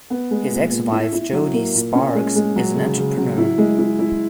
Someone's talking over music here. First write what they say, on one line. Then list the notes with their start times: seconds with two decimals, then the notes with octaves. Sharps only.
His ex-wife, Jodi Sparks, is an entrepreneur.
0.10 B3
0.31 G#3
0.52 A#2
0.72 A#2
0.92 E4
1.13 E4
1.33 F#3
1.54 A#3
1.75 A#2
1.95 C#4
2.15 G#3
2.36 G#3
2.56 F#3
2.76 C#3
2.97 C#3
3.17 F#3
3.38 E4
3.58 G#3
3.79 E4
3.99 E4